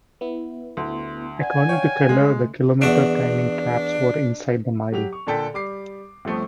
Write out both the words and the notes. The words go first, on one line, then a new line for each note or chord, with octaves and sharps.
According to Keller the kilometer timing traps were inside the mile.
B3 E4
D2 C6
D5 F#5 G#5 G#6
C#5 F5 G5
C#3 G#3 A3
E2 D4 F#4 E5
F#3 G4 F7
C#6
A#2 D3 A4 G5 B6
G3 D6 C7
G1 F3 A3 C4